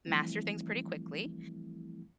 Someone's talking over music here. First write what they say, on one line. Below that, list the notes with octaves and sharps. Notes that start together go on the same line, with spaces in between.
master things pretty quickly,
E3 F3 G3 A3 C4 E4